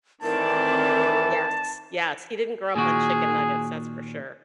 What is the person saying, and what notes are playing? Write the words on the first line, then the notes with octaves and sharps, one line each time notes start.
Yes, yes, he didn't grow up on chicken nuggets, that's for sure.
A2 D#3 E3 C4 A#4 D5 A5
A#2 D#3 F#4 G#4